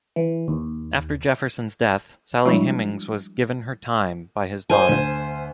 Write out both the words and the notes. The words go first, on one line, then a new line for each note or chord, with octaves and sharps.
After Jefferson's death, Sally Hemings was "given her time" by his daughter.
E3
D#2
F3 G3 G#3 D4 E4 F#4
C5 G#5
D2